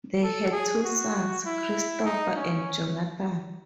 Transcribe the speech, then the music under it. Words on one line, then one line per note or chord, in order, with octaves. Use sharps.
They had two sons, Christopher and Jonathan.
A4
G#4
F#4
E4
D#4
C#4